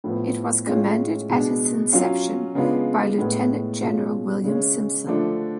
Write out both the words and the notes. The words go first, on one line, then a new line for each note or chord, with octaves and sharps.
It was commanded at its inception by Lieutenant General William Simpson.
A2 F3 B3
A2 G#3 C#4 F4
B2 G#3 D4
F#3 C#4 F4
C#3 G#3 B3 D4 F4
A2 G#3 B3
B2 G#3 C#4 F4
C#3 G#3 C#4
D3 F3 A3 D4